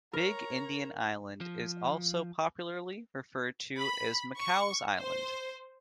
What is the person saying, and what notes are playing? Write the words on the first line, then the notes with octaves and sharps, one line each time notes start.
Big Indian island is also popularly referred to as Micou's Island.
A#4 C#5 A#5
F3
B5
C#6
C5